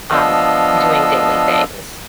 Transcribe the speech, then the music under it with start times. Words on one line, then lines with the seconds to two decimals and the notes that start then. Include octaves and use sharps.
um, doing daily things.
0.12 F3 B3 D4 D#5 F5 E6